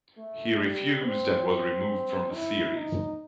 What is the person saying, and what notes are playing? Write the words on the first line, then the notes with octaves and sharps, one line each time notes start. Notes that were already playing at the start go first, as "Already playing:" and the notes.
He refused and was removed from the series.
A3
G3
C4
E4
D#4